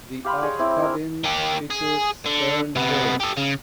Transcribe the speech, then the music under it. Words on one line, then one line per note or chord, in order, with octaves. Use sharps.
The aft cabin features stern ports.
G4 F5 B5 C6
G#4 C#5 D#5
C4 E4 D6
A#4
D#3 G4
G#4
D3
C3 B3
G4 A4
C#3